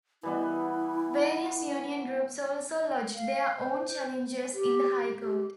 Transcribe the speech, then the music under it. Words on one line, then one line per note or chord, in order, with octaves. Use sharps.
Various union groups also lodged their own challenge in the High Court.
E3 G3 B3 E4
F5
C5
G4
G4